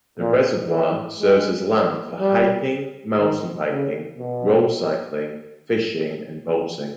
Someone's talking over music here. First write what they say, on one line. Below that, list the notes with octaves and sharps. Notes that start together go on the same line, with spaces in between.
The reservoir serves as land for hiking, mountain biking, road cycling, fishing, and boating.
A#2
E3
G#3
G3
D#3
C#3
B2